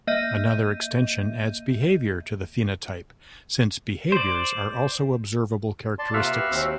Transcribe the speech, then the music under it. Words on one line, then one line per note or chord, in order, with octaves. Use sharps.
Another extension adds behavior to the phenotype, since behaviors are also observable characteristics.
A#3 D#5 E5 G6 D#7
C5 D5
D5 A5 C6
C3 A#3 F4 F#4 E5 F5
G4 B4
D#2 C4